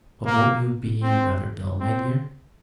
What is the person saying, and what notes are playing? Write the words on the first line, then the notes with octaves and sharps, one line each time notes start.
"But won't you be rather dull, my dear?"
A#3
C4
C4